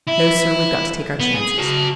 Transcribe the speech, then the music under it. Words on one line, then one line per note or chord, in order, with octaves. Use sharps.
No, sir--we've got to take our chances.
E4
B3
G#4
F#4 A5